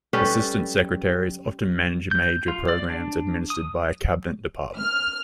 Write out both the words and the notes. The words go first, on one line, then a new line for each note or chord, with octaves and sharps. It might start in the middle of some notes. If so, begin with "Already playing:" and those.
Assistant Secretaries often manage major programs administered by a Cabinet Department.
G3 C#4 A4 B4
G6
F4
D5
D4
D#6
F6